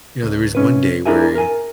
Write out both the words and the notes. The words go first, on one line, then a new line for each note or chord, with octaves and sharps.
you know, there was one day where he
C#2
C3 C#4 B4
D4 E4 G#4 A#4 E5 G#5
A#4 G#5